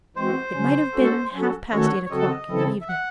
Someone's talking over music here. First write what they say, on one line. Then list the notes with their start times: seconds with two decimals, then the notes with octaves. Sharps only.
It might have been half-past eight o'clock in the evening.
0.16 E3 G#3 C4 F#4 C5
0.55 C#3 F#3 C#4
0.94 G#3 C#4 F#4 A4
1.33 F#3 C#4 F#4 A4
1.72 D#3 A3 C#4 F#4 A4 C#5
2.06 C#5
2.11 C#3 F#3 C4 F#4 A4 D#5
2.50 C#3 E3 C4 E4 A4
2.81 E5
2.89 F#5